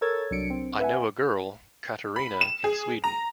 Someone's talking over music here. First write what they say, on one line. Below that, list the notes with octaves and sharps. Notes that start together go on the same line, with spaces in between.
I know a girl, Katerina, in Sweden.
A4 A#4 C#5 E6 G#6 A6
C2 F#3 D4 C#7 D7
C4
B4 E5 F#5 G#5
B5
E7
G#4
A#5